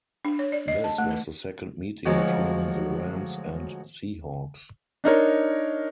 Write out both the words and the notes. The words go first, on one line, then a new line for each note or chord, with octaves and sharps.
This was the second meeting between the Rams and Seahawks.
D4
C#5
D5
D#5
A5
A3
B4
D2 F3 F#3 G#3
D4 D#4 A#4 C#5